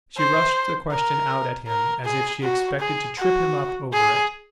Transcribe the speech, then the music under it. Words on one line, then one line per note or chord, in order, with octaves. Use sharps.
She rushed the question out at him as if she expected to trip him up over it.
C5
A#4
A#4
G#4
F#4
G#4
F#4
G#4